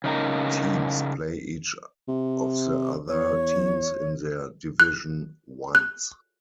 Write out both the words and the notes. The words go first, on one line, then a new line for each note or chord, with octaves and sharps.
Teams play each of the other teams in their division once.
C#3 D#4 A#4
C3
E2 C#5
F#6
F#6